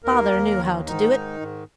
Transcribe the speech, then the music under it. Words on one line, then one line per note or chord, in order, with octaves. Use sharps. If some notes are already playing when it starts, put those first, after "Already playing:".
"Father knew how to do it."
D#2 A#3 A#4
D#2
D#3
G#2 D#3 D#4
D#3
G#2